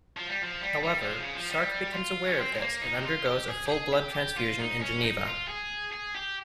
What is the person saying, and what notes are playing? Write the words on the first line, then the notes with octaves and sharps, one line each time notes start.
However, Sark becomes aware of this and undergoes a full blood transfusion in Geneva.
F3
G3
F3
G3
G3
G3
F3
C#3
F3
G3
G4
F4
C#4
C4
G#3
A#3
D#4
G4
F4
G4
G#4
G4
G#4
G4
G4
F4
D#4
C#4
D#4
F4
G#4
G#4
G4